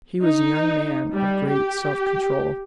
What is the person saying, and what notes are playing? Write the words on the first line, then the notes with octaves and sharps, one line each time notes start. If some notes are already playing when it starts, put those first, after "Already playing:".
He was a young man of great self-control.
D#4
G3
G4